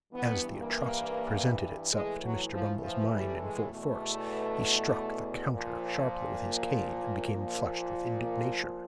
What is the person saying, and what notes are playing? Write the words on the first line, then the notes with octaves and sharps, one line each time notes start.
As the atrocity presented itself to Mr. Bumble's mind in full force, he struck the counter sharply with his cane, and became flushed with indignation.
G2 E3 B3
A#3
A2 E3 G#3
F#3
F3
F3
G3
G#3
E2 B2 A3
A#2 F3
A#3
A#2 F3
A#3